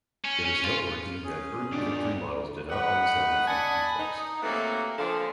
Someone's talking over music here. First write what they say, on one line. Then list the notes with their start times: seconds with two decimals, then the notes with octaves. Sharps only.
It is noteworthy that early Victory Models did not always have the V prefix.
0.24 C#4
0.45 C#4
0.64 F4
1.24 C#4 G#4
1.72 E2 D#3 D4 F4 G4 D5
2.70 A2 D#4 B4 F#5
3.48 D5 D#5 F#5 G#5 A5 B5
3.99 D#4
4.43 C3 E3 F#3 A3 A#3
4.98 A#2 D3 F3